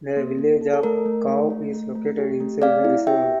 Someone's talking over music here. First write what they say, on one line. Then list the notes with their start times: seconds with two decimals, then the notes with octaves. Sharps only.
The village of Kaw is located inside the reserve.
0.17 A#3
0.38 A#3
0.61 A4
0.73 A4
0.83 A3 A#4
1.06 A3
1.28 A3
1.50 A3
1.73 A3
1.95 A3
2.18 G4
2.40 A3
2.62 C4 D5 F5
2.84 E4
3.07 G4 E5 G5